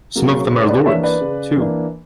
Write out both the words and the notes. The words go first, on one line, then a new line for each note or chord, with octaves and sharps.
Some of them are lords, too.
C#3 F#3 A#3
C#3 B4
B4 D5
E3 A#3 D4 C#5 E5
B4 D5
C#3
E3 A#3 D4